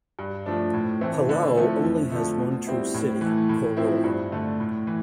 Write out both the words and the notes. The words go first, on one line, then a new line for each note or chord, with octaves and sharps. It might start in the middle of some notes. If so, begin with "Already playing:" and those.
Palau only has one true city, Koror.
G2
F3 A3 D4
A2
E3 A3 C4
D3
F3 A3 C4 E4
F2
D3 F3 A3
B2
G3 C4 E4
A2
E3 A3
A2
F3 C4 E4
G2
D3 A3
A2
E3